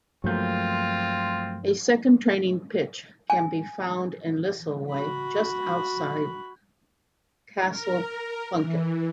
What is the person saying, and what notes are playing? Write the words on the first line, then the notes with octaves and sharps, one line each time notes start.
A second training pitch can be found in Lisalway just outside Castleplunket.
G2 F3 F#3 A3 A#3 C4 F4 G6
G#5
F#4 B5
A#4
E3